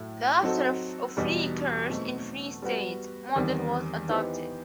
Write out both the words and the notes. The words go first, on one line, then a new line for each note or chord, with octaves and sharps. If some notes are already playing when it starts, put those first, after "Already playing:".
Thereafter, a "free church in free state" model was adopted.
Already playing: A2 F#3 A3 E4
F#3 C4 D#4 F#4 A4
E2 B2 G3 D#4
B2 F#3 A3 C4 D#4
G3 B3 F#4 B4
E2 D#3 G3 C4
E3 B3 D#4 G4 C5